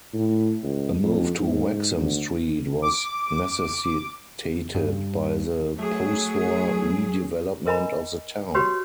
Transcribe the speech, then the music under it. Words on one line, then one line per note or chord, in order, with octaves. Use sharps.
A move to Wexham Street was necessitated by the postwar redevelopment of the town.
A2
C#2
F2
G#2
D2
D6
G2
F#3 A3 G#4
A#4 D#5 G#5 A#5 B5
F#4 G4 B4 C#5 C6